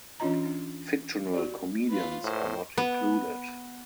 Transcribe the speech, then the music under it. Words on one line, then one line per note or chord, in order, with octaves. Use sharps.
Fictional comedians are not included.
E3 C#4 D4 F4 D#5 A#5
D4
F#4 G4 D5
F4 B4
A2 C5
B3